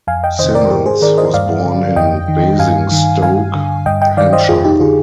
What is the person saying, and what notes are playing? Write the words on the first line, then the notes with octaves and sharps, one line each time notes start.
Symons was born in Basingstoke, Hampshire.
F2 F5 G#5
D#5 G5
C3 D#3 C5 D#5
A#4 D5
G#2 G4 A#4
G#4 C5
D#3 A#4 D5
C5 D#5
G2 D5 F5
D3
F2 D#5 G5
D#3
G2 F5 G#5
D#3
G2 F5 G#5
D3
G2 D#5 G5
D#5 G5
D#3 D5 F5
C5 D#5
F2 F4 G#4
D#4 G4
D3 F4 G#4